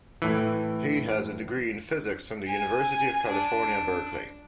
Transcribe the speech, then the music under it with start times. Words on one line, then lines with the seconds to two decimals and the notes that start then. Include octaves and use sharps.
He has a degree in physics from the University of California, Berkeley.
0.22 A2 E3
2.46 G#5
3.28 D4